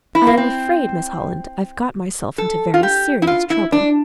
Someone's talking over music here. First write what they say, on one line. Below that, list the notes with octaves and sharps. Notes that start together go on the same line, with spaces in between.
"I am afraid, Miss Holland, I've got myself into very serious trouble."
E4
A#3
C4
A4
F4
G4
E4
F4
E4
D4